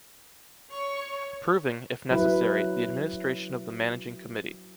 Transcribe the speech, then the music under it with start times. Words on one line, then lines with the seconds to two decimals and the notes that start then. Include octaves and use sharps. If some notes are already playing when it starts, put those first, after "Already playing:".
Approving, if necessary, the administration of the Managing Committee.
0.70 C#5 C#6
2.11 F#3 E4 B4